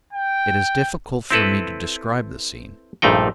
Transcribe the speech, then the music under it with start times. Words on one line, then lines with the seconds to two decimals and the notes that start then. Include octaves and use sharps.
It is difficult for me to describe the scene.
0.13 G5
1.31 C4 E4 A4 B4
3.02 A#1 G2 A#2 A3 D#4 G5